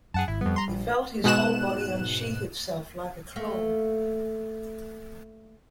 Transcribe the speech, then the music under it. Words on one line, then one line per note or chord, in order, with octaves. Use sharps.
He felt his whole body unsheath itself like a claw.
F#2 G#4 F#5 A5
G#1 E4
F2 G3 B3
A#5 C6
A#1
G#2 B2 F#6 E7
A3 A#3